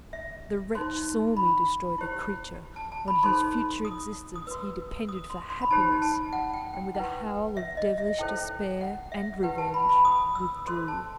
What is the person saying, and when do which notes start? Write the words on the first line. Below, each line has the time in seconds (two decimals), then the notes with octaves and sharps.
The wretch saw me destroy the creature on whose future existence he depended for happiness, and with a howl of devilish despair and revenge, withdrew.
0.13 E5
0.75 D#4 F#4 C5 C6
1.37 B5
1.98 E4 G4 C5
2.76 A5
2.92 A5
3.08 B5
3.23 D#4 A4 C5 C6
3.85 D#6
4.35 D#6
4.47 F#4 B4 E6
5.09 D#6
5.30 C6
5.50 C6
5.62 B5
5.71 D#4 G4 C5 A5
6.02 A5
6.33 F#5
6.53 G5
6.74 G5
6.95 E4 B4 F#5
7.57 E5
7.77 D#5
7.98 E5
8.19 E4 A4 C5 G5
8.81 F#5
9.12 E5
9.43 E4 G4 B4 F#5
9.58 A5
9.74 B5
9.89 B5
10.05 D#6
10.35 E6
10.67 F#4 A4 C5 C6
10.88 A5